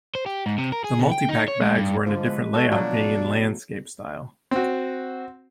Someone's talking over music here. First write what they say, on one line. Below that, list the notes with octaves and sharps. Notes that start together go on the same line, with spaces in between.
The Multipack bags were in a different layout, being in Landscape style.
C5
G4
G#2
C3
A#4
G#4
B2
G5
D#4
C#5
G#3
G2
G#2 D3 F3 D6
G#3 B4
B3 F#4 A4
B2 F3 F#3 A3 B3 D4
C4 F#4